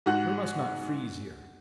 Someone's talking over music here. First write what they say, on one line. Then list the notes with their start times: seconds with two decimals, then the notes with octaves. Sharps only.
"We must not freeze here."
0.06 G#2 F#4 F#6